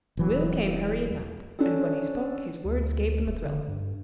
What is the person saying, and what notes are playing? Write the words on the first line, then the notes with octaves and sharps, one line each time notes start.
Will came hurrying up, and when he spoke his words gave them a thrill.
E1 E3 F#3
C#4 D4 A4
D2
E1
D3
G2